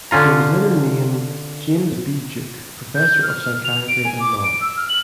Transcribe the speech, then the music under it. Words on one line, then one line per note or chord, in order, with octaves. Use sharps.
He was later named James B. Duke Professor of Psychiatry and Law.
D3 C#4 F4 A#5
G6
F6
F7
D7
G#5
D6
D7
E6
F6
F#7